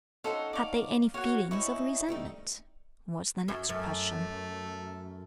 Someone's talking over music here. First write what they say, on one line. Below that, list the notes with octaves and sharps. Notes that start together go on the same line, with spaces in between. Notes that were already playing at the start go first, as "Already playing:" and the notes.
"Had they any feelings of resentment?" was the next question.
C#4 D#4 A4 C5 F5 F#5
D5 F5
A#3 F#4 C#5 F5 F#5
C#4 D#4 E4 C#6
G3 A3 D#4
F#2
F#2 A3